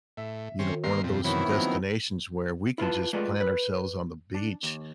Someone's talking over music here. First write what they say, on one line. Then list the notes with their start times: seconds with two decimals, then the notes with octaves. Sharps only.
you know, one of those destinations where we can just plant ourselves on the beach
0.17 A2 E5
0.59 D#3 C4 C#4
0.84 G1 A#3 C6
1.04 F2 C3 C4
1.24 F#2 C3 D#3 E3 B3 E4 C#5
1.49 F3 F#3 A#3 D#4
2.78 E4 F4 B4 A5
3.13 G#3 A3 F4 B4 D5 D#5
3.41 B4
4.34 D4
4.63 D#2